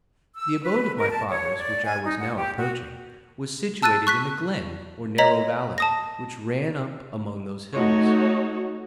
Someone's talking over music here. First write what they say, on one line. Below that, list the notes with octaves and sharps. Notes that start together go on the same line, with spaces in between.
The abode of my fathers, which I was now approaching, was situated in a glen, or narrow valley, which ran up among those hills.
E6
B4
A#4
A5
C#5
D5
G#5
D#4
F#5
G4
F#4
A5 E6 F#6 A6 D#7
C#6 F#6 B6
C#5 D#5 A#5 B6 F#7
A5 D#6 A#6
A3 D#4 F#4 C#5